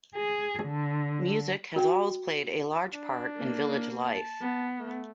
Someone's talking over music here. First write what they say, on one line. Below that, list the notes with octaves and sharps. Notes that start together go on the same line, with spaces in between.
Music has always played a large part in village life.
G#4
D3
F#4 G5
D4
A#3
A5
B3
A3